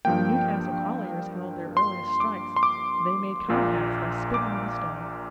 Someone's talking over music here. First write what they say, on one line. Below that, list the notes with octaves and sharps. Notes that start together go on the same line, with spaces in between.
When the Newcastle colliers held their earliest strikes they made compacts by spitting on a stone.
G2 F3 A#3 G5
C6
D6
C6
D6
A#1 A#2 A#3 F4
D6